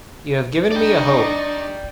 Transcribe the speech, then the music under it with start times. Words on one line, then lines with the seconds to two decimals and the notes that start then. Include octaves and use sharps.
You have given me a hope.
0.72 D4 D#4 D5 D#5 G5 C#6 A6